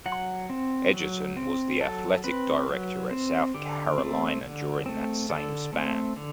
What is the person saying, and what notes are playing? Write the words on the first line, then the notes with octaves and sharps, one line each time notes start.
Edgerton was the athletic director at South Carolina during that same span.
F#3 F#5
C4
F#3
C4
F#3 A4
C4 B4
F#3
C4
D3 G4
A3 C4
D3
A3 C4
D3 A4
A3 C4
D3